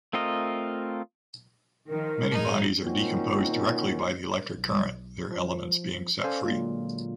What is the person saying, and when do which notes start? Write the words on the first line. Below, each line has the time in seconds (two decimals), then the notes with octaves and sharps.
Many bodies are decomposed directly by the electric current, their elements being set free.
0.13 A3 C4 F4 A#4 D#5
1.88 D#3 F3 A#4
2.31 A2 D#4 G#4
2.83 A#2 D#3 C4 C#4 F#4
4.57 B1
5.31 F3
6.24 C#4 A4 C5 D5 F5 G#5
6.44 A#2 D3 F#3 G#3 A#3 F4